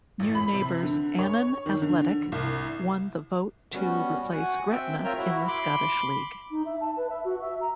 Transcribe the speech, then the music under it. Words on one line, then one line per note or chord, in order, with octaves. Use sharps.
Near neighbours Annan Athletic won the vote to replace Gretna in the Scottish league.
A1
B5
C3
D3
C#5
D#3
D3
C2
G3 B3 C#4 F#4
F#4 F#5 G#5
C4 E5 G5
F4 A#4 C#5 E5 G5 A#5
E4 F#4 E5
B5 C6 D6
D#4
E5
A5
B4
E5
F#4
E5
A#5